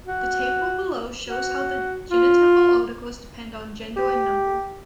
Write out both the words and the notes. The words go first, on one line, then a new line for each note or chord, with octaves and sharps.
The table below shows how the genitival articles depend on gender and number.
F#4
F#4
F4
G4